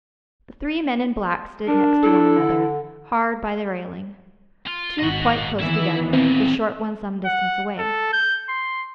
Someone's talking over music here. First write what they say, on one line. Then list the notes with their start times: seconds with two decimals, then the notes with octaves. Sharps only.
The three men in black stood next to one another hard by the railing, two quite close together, the short one some distance away.
1.68 D4 A#4
2.03 E4 A4
2.39 D3
4.67 F4
4.99 G#1 F#4 D#5 F#5
5.59 D#3 E3 B3 E4 E5
6.13 D#2 A#2 C4
7.25 F#5
7.79 A4
8.13 G6
8.49 C6